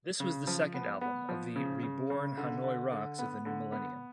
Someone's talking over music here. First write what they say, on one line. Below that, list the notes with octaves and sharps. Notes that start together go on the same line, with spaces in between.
This was the second album, of the "reborn" Hanoi Rocks of the new millennium.
C#3
F3
B3
B3
F3
C#3
C#3
C#3
D3
D3
D3
B3
D3
B3